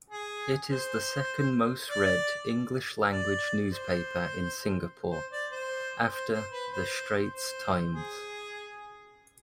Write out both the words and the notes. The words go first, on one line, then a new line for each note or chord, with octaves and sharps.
It is the second-most-read English-language newspaper in Singapore, after "The Straits Times".
G#4
C5
D5
D5
C5
C5
D5
C5
C5
C5
B4
C5
C5
G#4